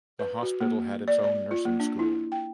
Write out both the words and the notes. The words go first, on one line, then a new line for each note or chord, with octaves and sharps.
The hospital had its own nursing school.
B4
F#4
A#3
D5
D5
F4
A#3
D4
E4
G5